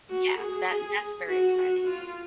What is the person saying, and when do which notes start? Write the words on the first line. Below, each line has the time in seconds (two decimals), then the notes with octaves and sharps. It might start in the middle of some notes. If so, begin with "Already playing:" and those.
Yeah, that that's very exciting.
0.10 F#4
0.39 G#4
1.28 F#4
1.57 F#4
1.87 F4